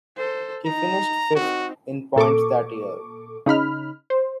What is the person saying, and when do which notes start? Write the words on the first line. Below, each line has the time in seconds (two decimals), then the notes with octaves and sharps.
He finished fifth in points that year.
0.16 A4 C5
0.66 D#4 A#5
1.35 C4 D#4 F#4
2.16 A#2 A4 C#6 D6
3.46 C#3 D#4 B5 F6
4.10 C5